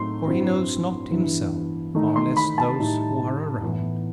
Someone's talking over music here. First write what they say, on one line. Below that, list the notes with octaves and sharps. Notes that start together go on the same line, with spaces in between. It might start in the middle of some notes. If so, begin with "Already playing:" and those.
For he knows not himself--far less those who are around.
Already playing: A2 F#3 A3 C4 D#4 C6
G2 F#3 C4 E4
G2 E3 B3 E4
D#3 A3 D#4
C6
B5
A5
A2 G3 D#4
A2 E3 B3 E4